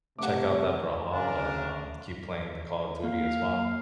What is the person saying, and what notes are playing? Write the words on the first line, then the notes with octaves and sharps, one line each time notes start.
check out that Brawlhalla and, um, keep playing the Call of Duty as well.
C3 A3 F#5 D6
C#3 D4 A#4 F5 G#5 C6
A#3 F5